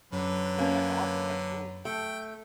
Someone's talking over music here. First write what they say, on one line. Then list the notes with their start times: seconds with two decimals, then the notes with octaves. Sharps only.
Yeah, that's awesome. That's cool.
0.13 F#2 D3 F#3 B4
0.58 A#3 C#4
1.85 A3 G5